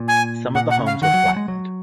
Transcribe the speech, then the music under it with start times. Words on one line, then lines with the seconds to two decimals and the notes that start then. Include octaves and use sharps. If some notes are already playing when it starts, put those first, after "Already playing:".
Some of the homes were flattened.
Already playing: A#2
0.08 G#5
0.55 A#2 F#5
0.71 F#5
0.79 C#3
0.86 F5
1.02 D#3 F#5
1.14 F#3
1.26 F#3
1.36 G#3
1.48 F#3